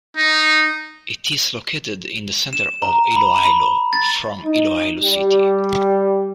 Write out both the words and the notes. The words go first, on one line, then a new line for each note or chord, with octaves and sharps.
It is located in the center of Iloilo, from Iloilo City.
D#4
E7
A#5
B5
B5
A6
D#4
G3